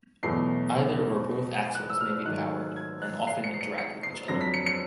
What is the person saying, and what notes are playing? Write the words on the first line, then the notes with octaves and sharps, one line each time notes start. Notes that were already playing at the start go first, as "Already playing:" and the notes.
Either or both axles may be powered, and often interact with each other.
E2 B2 F#3 A3 C7
F#6
E6
F6
G#2 D#3 F#3 A3 F#6
G#6
F#6
C7
C#7
C7
C#7
C#7
C7
F2 D3 F#3 A#6
B6
C#7
C#7